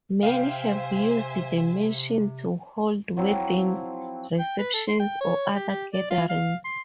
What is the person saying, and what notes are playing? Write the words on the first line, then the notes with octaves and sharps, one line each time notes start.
Many have used the mansion to hold weddings, receptions, or other gatherings.
C3 C5 E5 F5 G5 G#5
F3 F#3 C4 E4
G5
B4
A4
C6
G5
C#5
G4
G4
D5
F4
F5
C6